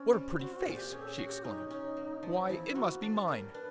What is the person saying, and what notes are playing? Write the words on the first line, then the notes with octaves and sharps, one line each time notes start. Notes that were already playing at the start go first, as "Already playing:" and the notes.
'What a pretty face!' she exclaimed, 'Why, it must be mine!
Already playing: C4 C#4
G3
C4 F#4
F4
F#4
A#2 G#4
G4
C#4 G#4
A4
G#4
F#4
G4
C#4 D#4
C#4
A#3
F3
E2 E4
A#3 F#4
D4
G3 A#4
D4 B4